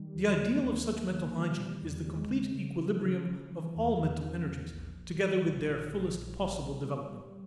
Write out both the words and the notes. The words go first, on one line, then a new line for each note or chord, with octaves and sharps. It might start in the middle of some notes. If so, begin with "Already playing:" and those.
The ideal of such mental hygiene is the complete equilibrium of all mental energies together with their fullest possible development.
Already playing: D#3 G3
D#2
A#3
D#2
A#3
D#3
G3
G3
E2
G#3
C#3
C#3
E3
C#3
C#3
E3
E2
E2
C#3
E2
A#1
A#1
G3
A#1
A#1
A#1
A#1
A#1
G3
G3
G3